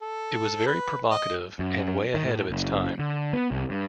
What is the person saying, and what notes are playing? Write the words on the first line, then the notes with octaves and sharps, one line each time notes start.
It was very provocative and way ahead of its time.
A4
B4
D#5
F#2
D#3
A2
F#1
D3
B3
C2
G2